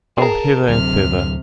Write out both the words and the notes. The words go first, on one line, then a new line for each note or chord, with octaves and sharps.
Oh, hither and thither.
G#4 A#4 A5 A#5
D2 C3 F#3 F6